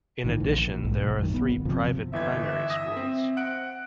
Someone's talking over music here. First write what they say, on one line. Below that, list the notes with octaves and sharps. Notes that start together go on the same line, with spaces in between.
In addition there are three private primary schools.
A#1 A2 D#3 E3
A#1
B1 G#2
F#2 D#3
G1 B3
E2 C3 F3
G1 E3 E5 G#6
D#6 A#6
C4
F#5 F#6 D7